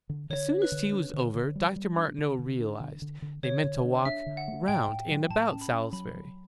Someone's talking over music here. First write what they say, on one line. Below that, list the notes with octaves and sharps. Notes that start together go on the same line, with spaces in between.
As soon as tea was over, Dr. Martineau realized, they meant to walk round and about Salisbury.
D3
D3 C#5
D4
B4
D3
D4
D3
D3
G3
G3
D4
D3
D3
D4
D3
D3
D3
D3 C#5
D3
D4
D4 E5
D3
F#5
A3
A2 G5
A2
F#3
A2 A5
C#4
B5
C#4
F#3 B5
F#3